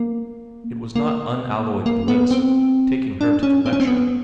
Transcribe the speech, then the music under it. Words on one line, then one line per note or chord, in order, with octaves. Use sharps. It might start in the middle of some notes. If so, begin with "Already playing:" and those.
It was not unalloyed bliss, taking her to the lecture.
Already playing: A#3
A#3
A#3
B3
C4
D4
C#4
C4
C#4
C4
B3